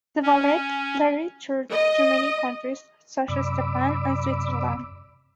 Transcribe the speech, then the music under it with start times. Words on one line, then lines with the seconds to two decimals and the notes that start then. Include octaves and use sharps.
The ballet later toured to many countries such as Japan and Switzerland.
0.22 C#4
1.71 D#5
3.28 F#2 C3 D5 B5 D6 E6